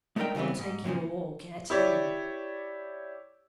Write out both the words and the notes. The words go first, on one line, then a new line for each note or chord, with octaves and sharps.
"I'll take you all, get in!"
G#3 A3 D4 D#4 A#4 G5
C#3 E3 G3 B3 C4
G#2
F#2 A#2 C#3 F3
E4 G4 C#5 D5